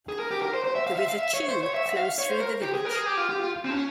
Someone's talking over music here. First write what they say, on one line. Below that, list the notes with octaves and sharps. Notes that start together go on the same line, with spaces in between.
The River Chew flows through the village.
G#4
A#4
G4
A#4
C5
C5
E5
F5
E5
F5
E5
C#5
C5
C#5
E5
E5
F5
C#5
C5
A#4
G4
G#4
A#4
G#4
G4
F4
G4
F4
C4
C#4